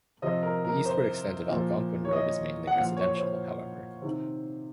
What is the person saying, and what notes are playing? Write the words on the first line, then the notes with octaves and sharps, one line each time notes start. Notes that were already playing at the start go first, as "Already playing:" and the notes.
The eastward extent of Algonquin Road is mainly residential, however.
C3 F3 D#5
A#4
A#4
C5
A#2 F3
C#5
D#5
F#5
A#2 F3 F5
C#5
C#5
C5
C3 D#3